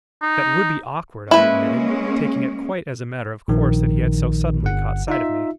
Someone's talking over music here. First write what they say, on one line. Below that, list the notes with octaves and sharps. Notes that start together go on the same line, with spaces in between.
That would be awkward, I admitted, taking it quite as a matter of course that he had so suddenly caught sight of me.
D#4
G#3 A#3 C#4 E4 B4
A#1 D#3
G1 F#5
D#4 F4 E5